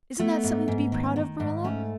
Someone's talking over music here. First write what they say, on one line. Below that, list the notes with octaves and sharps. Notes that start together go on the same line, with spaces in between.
Isn't that something to be proud of, Marilla?
A3 B3
G#2
G#2
D#3
D#3
G#2
A3 C#4